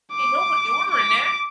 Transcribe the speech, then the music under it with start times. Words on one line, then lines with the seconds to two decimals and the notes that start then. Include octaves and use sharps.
Ain't nobody ordering that."
0.13 D6
0.91 D6